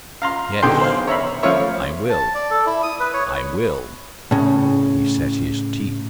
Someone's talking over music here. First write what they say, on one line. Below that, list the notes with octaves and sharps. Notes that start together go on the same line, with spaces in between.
"Yes;--I will!--I will!" He set his teeth.
F5 A#5 C6
B1 D3 G#4 G5 C6
C5 F5
C#5 E5 A#5 B5
F3 A3 F4 C#5 E5
A5
D5
A4
E4
D#6
B4
C#5
A2 C#3